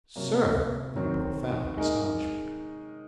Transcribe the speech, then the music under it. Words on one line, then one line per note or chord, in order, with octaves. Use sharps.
"Sir!" in profound astonishment.
C3 F#3 A#3
D#3 F#3 C4
G#3 D#4 A#4